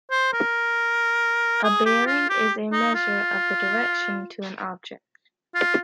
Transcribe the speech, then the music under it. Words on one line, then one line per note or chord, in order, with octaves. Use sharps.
A bearing is a measure of the direction to an object.
C5
A#4
G#4
G4
F4
G4
D#4
F4
F4